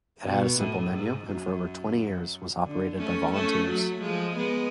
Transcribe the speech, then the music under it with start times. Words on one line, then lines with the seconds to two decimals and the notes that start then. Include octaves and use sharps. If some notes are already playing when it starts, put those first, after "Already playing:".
It had a simple menu and for over twenty years was operated by volunteers.
0.24 B2
0.58 A2
0.92 G#2
1.27 F#2
2.64 D3
2.98 A3 C#4
3.32 A3 C#4
3.66 F#3 A3
4.01 F3 G#3
4.36 G#3 B3